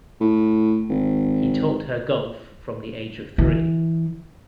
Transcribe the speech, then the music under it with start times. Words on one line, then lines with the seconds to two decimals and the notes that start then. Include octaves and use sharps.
He taught her golf from the age of three.
0.20 A2
0.89 G#1
3.38 E3